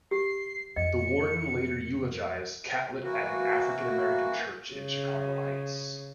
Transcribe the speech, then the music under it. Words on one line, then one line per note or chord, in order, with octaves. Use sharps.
The warden later eulogized Catlett at an African-American church in Chicago Heights.
G4 C7
F2 D#5 C#7
E3 A#3 F#4
C#3